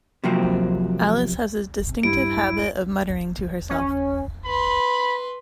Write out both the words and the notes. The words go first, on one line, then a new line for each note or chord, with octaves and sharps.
Alice has a distinctive habit of muttering to herself.
C3 F3 F#3 A#3 C4
G2 E4 D7
C#4
B4 B5 C6